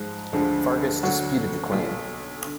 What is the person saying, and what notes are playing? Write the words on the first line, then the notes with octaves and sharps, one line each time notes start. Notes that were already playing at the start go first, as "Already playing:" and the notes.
Fargas disputed the claim.
Already playing: G#2 F3 G#3
D2 D3 F3 G#3
D2 D3 F#3 D4 F#4
B1 B2 A#3 F4
D3